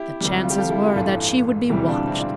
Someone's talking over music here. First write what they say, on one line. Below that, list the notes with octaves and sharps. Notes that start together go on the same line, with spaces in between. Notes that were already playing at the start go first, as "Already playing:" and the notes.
The chances were that she would be watched.
Already playing: E4 G4
D2 C3 G3
F4
G4
F4 A4
E4 G4
E4 G4
A1 G2 E3 F4 A4
E1 D2 C3 E3 G3 E4 G4
D4 F4
C4 E4
D4 F4